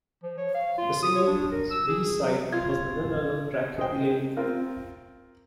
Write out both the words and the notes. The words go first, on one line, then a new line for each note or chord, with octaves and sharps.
The single's B-side was the non-album track "Elaine".
F3
C#5
F5
F4
D#6
C#5
D4
A#4
E6
G#4
F#3
F4 G#6
G#4 C5 D#5 G5
C4 F4 A#4